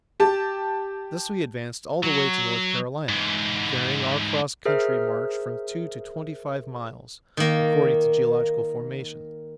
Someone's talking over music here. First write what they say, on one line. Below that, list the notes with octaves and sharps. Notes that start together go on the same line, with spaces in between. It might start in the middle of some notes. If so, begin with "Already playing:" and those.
Thus we advanced all the way to North Carolina, varying our cross-country march from two to twenty-five miles, according to geological formation.
G4 A5
F#3
G#2 E3
G#4 A#4 C5 E5 F6
D#3 A#3